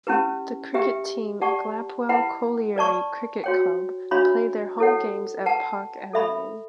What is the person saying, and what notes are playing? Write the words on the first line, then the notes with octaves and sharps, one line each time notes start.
The cricket team "Glapwell Colliery Cricket Club" play their home games at Park Avenue.
C#4 E4 G4 B4
G4 B4 E5 G5
G4 D5 F#5 A5 C#6
E4 B4 F#5 B5
B4 D5 A5 C#6
F#4 C#5 G5
D4 F#4 C#5 E5 B5
E4 A4 C#5 F#5
B4 F#5 A5
A4 E5 B5